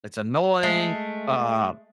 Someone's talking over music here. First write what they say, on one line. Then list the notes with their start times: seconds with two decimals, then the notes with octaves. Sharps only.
it's annoying, uh,
0.63 G#3 A3